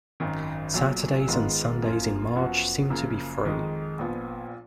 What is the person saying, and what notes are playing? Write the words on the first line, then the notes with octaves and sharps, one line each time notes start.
Saturdays and Sundays in March seem to be free.
G#1 F#2 D#3
B1 A#2 F#3
G#2 D#3 G#3 B3 F4
F#2 F3 A#3 F4
F#2 F3 B3 F#4
F#2 C#3 F3 A#3
F2 D#3 G#3 D#4
A#1 A#2 F3 B3